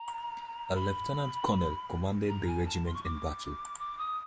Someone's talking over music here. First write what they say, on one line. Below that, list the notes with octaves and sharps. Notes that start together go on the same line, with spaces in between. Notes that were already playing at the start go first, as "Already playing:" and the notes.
A lieutenant-colonel commanded the regiment in battle.
Already playing: A#5
B5
A#5
G#5
A5
C6
C#6
D6
D6
D#6